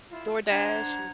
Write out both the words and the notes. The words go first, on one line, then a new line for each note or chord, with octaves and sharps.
DoorDash an
E4 F4
D4 C5 F#5 A#5 G#6